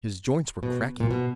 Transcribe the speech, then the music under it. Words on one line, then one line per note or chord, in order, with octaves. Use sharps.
His joints were cracking.
B2
A#2
B2